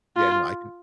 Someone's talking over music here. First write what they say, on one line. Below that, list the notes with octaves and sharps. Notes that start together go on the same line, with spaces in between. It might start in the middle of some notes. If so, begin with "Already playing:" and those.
Yeah, no, I can
F4